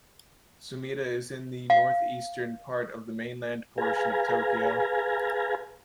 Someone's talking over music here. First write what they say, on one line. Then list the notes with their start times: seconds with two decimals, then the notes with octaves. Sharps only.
Sumida is in the northeastern part of the mainland portion of Tokyo.
1.70 F5
3.78 G#4 B4 F5 G#5 A#5